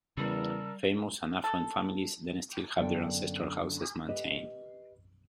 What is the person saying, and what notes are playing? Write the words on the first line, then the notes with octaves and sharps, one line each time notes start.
Famous and affluent families then still have their ancestral houses maintained.
E2 C#3 G3 A#4 A5 E6
A4
F#2 D3 A#3 B3 D4 G5
G4 B4 D#5